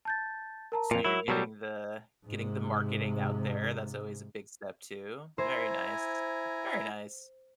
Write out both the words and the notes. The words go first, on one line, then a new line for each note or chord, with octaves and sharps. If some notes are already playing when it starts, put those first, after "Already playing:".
So, you're getting the getting the marketing out there. That's always a big step too. Very nice, very nice.
A5 G6 A6
A#4 A5 A#5
F2 A#2 A#4 F7
F#3 E4
B2 F#3 G3
G#2 C3
E4 C5 G#5 A#5